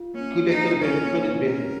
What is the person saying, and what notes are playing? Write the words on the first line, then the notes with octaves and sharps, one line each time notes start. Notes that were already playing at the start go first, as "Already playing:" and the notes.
could they could have been could it have been,
Already playing: F4
A#3 C#4
A#3
D#4
C5
C#4 F4
A#3
A#3
C#4 A#4